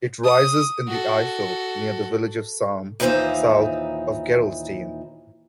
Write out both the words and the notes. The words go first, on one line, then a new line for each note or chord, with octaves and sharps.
It rises in the Eifel, near the village of Salm, south of Gerolstein.
D#6
F#4 A4
D#2 A#2 E3 D#4 C5 E5